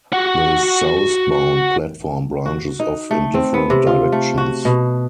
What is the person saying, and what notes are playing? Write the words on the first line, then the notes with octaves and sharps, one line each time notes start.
The southbound platform branches off in different directions.
F#4 F#5
F#4
D#4
A3
C4
B3
C3
F4
A3
F#4
B2